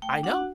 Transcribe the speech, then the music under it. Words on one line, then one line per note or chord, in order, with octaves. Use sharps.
I know.
A3 G5
D4 F#4 F#5